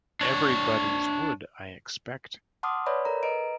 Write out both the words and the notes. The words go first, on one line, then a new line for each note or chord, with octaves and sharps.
Everybody's would, I expect.
D4 C#5
F#5 A5 C6 D6 D#6 F6
B4 C#5 D5 E5 B5
A4 A#4 A#5
B4 D#5 A#5 D7